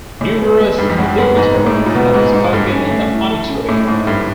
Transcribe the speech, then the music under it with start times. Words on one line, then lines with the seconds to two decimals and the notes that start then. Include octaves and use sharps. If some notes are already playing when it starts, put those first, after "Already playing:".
Numerous dignitaries have spoken in the Auditorium.
0.21 A2 G#3
0.41 B3
0.60 G#3
0.78 G2 D#4
0.90 F2
0.99 F#2 G#3
1.18 F#2 B3
1.36 G#2 G#3
1.56 D#4
1.66 A2
1.75 G#3
1.86 A#2
1.95 B2 B3
2.14 G#2 G#3
2.33 G#2 D#4
2.52 G2 A4
2.73 C#4
2.91 A3
3.11 E4
3.30 A4
3.49 C#4
3.68 A2 A3
3.87 G#2 E4
4.07 G2 A4